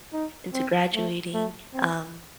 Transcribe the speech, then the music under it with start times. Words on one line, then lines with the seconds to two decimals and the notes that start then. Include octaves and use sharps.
into graduating, um
0.13 D#4
0.54 C4
0.94 A3
1.34 A3
1.74 C4